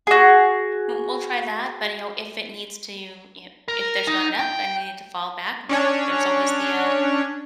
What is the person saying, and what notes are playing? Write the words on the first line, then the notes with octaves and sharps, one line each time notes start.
w we'll try that. But, you know, if it needs to you i if there's not enough and we need to fall back, um, there's always the, uh,
F#4 G#4
A#4
D#4
G5
C#4 D4 C#5